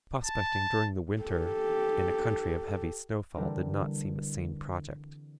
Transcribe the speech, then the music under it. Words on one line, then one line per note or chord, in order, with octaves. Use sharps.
Prospecting during the winter in a country of heavy snowfall did not seem a sane project.
A5
G4 A4
D3 E3 G3 C4 D4 A#4